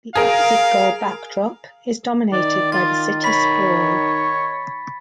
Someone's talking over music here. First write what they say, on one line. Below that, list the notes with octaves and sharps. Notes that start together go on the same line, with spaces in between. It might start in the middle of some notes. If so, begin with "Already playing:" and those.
The opposite goal backdrop is dominated by the city sprawl.
G#4 A#4 F5
D#3 D5
F4 A6
C#5 B5 B6